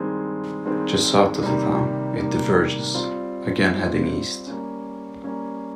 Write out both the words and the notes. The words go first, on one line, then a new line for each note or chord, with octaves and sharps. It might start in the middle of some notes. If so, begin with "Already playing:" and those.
Just south of the town, it diverges, again heading east.
Already playing: G2 D#3 G#3 C4
G2 D#3 G#3 C4
C3 D#3 G3 A#3
C3 D#3 G3 A#3
G3 C4 F4
G3 C4 F4
G3 A#3 C#4
G3 A#3 C#4